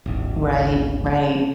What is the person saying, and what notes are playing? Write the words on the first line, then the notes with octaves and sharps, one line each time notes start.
Right. Right.
D1 G#1 G2